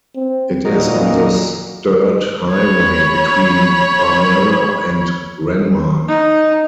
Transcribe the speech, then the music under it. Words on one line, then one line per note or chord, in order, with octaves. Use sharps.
It is on the Sturt Highway between Barmera and Renmark.
C4
A#2 F#3 D#4 A#4
C#5 B5
D#4